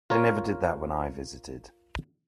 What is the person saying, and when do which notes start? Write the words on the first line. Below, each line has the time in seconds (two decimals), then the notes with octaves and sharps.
They never did that when I visited.
0.10 F4 A#4 C#5